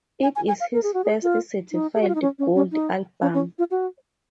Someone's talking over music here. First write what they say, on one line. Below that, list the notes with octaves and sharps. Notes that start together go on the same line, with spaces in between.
It is his first certified Gold album.
G#5
G#5
G#5
F5
A#4
G#4
F#4
G#4
F4
D#4
G#4
F#4
F4
D#4
C#4
C#4
C#4
D#4
C#4
C#4
F4
F#4